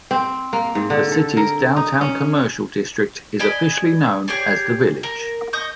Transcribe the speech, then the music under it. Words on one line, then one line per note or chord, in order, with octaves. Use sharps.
The city's downtown commercial district is officially known as "The Village".
C4
A#3
G#2
D3
A4
A#4
D#4
C#4
D5 D#5 G#5 B5
G4 G#4 C#5 D5
A#4
D#5 C#6 D#6 G6